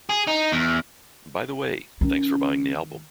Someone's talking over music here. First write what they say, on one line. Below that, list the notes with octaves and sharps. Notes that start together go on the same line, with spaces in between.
By the way, thanks for buying the album.
G#4
D#4
E2
D#3 C#4 D#4